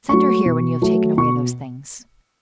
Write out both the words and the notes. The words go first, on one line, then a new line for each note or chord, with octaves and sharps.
"Send her here when you have taken away those things."
F#3 A3 C#6
B2
F#3 A3
B2 C#6